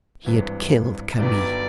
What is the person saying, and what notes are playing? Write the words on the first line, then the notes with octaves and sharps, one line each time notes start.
He had killed Camille.
G#1 G2 E3
G1 G2 D#3 F#3 B3 D5